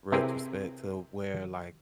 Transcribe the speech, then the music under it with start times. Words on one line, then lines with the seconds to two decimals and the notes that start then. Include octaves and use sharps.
retrospect to where, like,
0.12 C3 C4 E4 G#4 A#4 B4